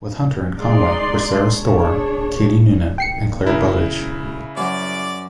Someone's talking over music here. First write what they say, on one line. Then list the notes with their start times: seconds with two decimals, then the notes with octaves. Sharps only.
With Hunter and Conway were Sara Storer, Katie Noonan and Clare Bowditch.
0.58 G#3 D#4 D5 C6
1.53 D4 G#4 C#5
2.98 G5 C7 C#7
3.46 C#3 E4 A#5
4.57 F#2 F#3 D5 D6